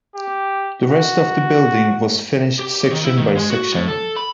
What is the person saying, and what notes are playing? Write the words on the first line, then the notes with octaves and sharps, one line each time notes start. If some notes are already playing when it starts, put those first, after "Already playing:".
The rest of the building was finished section by section.
G4
F#4
G4
D#3
E4
D#3
G#3
F#4
A2
A4
B5